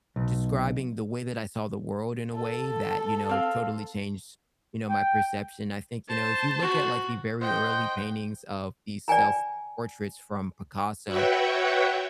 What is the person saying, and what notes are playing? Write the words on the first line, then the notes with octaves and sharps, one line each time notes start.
describing the way that I saw the world, in a way, that, you know, totally changed, you know, my perception I think, you know, if you look at, like, the very early paintings of these self-portraits from Picasso,
B1
A4
C4 F5
G5
C5 A5
F#4
C5 D#5 F#5 G5
D5 G5 G#5 A#5
F#4 B4 C#5 E5 F#5 G5